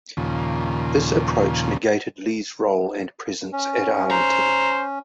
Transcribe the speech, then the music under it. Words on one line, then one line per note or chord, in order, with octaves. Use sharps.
This approach negated Lee's role and presence at Arlington.
D#2 A#2 C#3 F3
C#4
C5 A#5